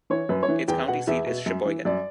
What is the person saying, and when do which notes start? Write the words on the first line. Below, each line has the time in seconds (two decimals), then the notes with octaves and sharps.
Its county seat is Sheboygan.
0.10 E3 C#5
0.29 F#2 B4
0.43 C#5
0.48 E3
0.68 E2 G5
0.88 B2 F#5
1.07 E2 E5
1.26 B2
1.46 F#2
1.66 E3
1.85 F#2 D5